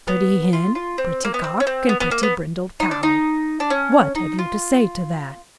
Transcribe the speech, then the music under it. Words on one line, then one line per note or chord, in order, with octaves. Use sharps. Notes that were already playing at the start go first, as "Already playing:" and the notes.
"Pretty Hen, pretty Cock, And pretty brindled Cow, What have you to say to that?"
B3
F4
F4
C4
A#3
B3
C4
C#4
C4
B3
B3
A#3
B3
D#4
D4
D#4
D4
C#4
D#4
F4